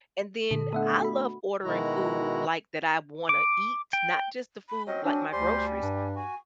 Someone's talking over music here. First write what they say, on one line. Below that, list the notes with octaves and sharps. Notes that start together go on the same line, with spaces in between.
and then I love ordering food like, that I wanna eat, not just the food, like my groceries.
A#2 D3 A4
A3 B3 D4 A4 E5 F#5
F#4 B5
B2 D#3 G#3 E4 F#4 A#5
D6
G5
B5
F#3 C4 C#4 D#5
F#3 D4 G#5
D2 G3 G4 C5 C6
G2 D4
F#4 G#5